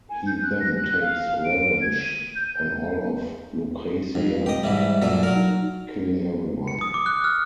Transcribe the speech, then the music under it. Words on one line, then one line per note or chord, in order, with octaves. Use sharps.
He then takes revenge on all of Lucretia, killing everyone.
G#5
G6
F#6
A#6
F#6
F5
D7
G#6
D#7
G6
G6
F2
G4 D#5
G#2 E3 G3 E5
F#2 A#2 A4 D5
F#3 A#4
D#4
C#7
D#6
D6
F#6
F6